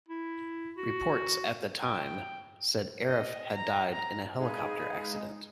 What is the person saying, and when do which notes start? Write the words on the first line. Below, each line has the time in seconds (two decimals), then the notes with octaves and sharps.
Reports at the time said Arif had died in a helicopter accident.
0.08 E4
0.77 F#4
1.82 G5
3.07 D#5
3.53 A#5
3.92 A#5
4.38 G#3 D#4 G#4 B4 F5